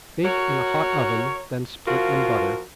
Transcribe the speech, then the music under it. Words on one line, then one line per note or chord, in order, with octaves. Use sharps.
Bake in a hot oven, then split and butter.
F#4 A#4 C#5
F3 F4 F#4 A#4